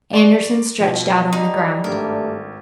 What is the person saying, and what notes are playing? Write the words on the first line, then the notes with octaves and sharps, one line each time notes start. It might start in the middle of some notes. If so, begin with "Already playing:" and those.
Andersen stretched out on the ground.
D5 C6 C#6
B2 F3
G3 D#4
G#1 G2 A3 D4 A#4